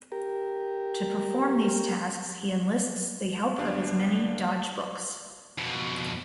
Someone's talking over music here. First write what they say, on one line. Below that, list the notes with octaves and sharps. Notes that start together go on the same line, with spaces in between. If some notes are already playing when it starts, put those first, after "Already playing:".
To perform these tasks he enlists the help of his many 'dodge books'.
G4 A#4
G1 G3 B3 D4 F5
F2 B2